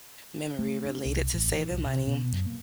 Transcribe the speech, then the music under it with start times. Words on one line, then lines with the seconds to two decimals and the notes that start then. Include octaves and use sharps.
memory related to saving money
0.59 A3
0.86 D4
1.05 C2
1.33 A1
1.54 E3
1.69 C2
1.86 C3
2.07 B2
2.32 F#2
2.46 A#3